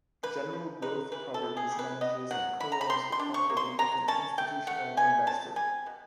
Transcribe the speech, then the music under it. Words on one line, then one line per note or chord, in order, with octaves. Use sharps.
General Growth Properties manages and co-owns the property with an institutional investor.
A#3 B4
F3
D#4 B4
E3 B4
A4
C3
G#4
G3
B4
B3 D#5
F#3 F#5
E4 B5
A#5
B5
G3 C6
C6
D4
C#6
A#3
C6
F#3 A#5
C#4 A5
A3 G5
A3 F#5
F3 G#5
C4 A5
G3 G#5
B2